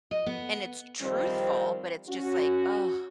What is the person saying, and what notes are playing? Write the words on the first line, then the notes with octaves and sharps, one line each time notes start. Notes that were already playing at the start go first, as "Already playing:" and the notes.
and it's truthful, but it's just like, oh,
D#5
B3
D#3 F3 G3 C4
C#4 F#4